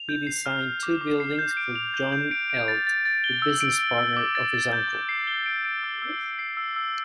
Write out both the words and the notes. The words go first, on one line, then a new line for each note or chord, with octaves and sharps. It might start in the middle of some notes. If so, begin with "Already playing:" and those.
He designed two buildings for John Eld, the business partner of his uncle.
Already playing: F7
G6
C7
F6
F6
D6
D6
C7
G6
D7
F7
G6
G6
D7
D7
A6
A6
A6
G7
E6
D7
D7
E6
D6
A6
A6
G6
G6
C7
G7
D7
D7
E6
E6
E6
C7
E6
E6